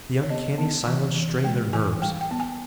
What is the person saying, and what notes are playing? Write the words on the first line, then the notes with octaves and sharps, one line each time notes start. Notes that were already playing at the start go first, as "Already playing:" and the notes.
The uncanny silence strained their nerves.
C#5
B3 D#5
B3
E3
E3
G#3 G5
E3 G#5
G3 G5
G5
B3
G#5